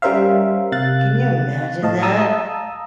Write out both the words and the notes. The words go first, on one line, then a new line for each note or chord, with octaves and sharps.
Can you imagine that?
G3 C#4 A#4 C5 E5 F5
C3 F5 F#6 A6
A2 D#5 F5 A5
F5 A5 A#5 D#6 E6